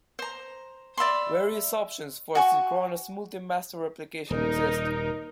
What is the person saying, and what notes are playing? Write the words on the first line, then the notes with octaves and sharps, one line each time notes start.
Various options for synchronous multi-master replication exist.
C5 A#5
D5 E5 B5 C6
F#4 G#5 C#6
D#1 D#4 A#4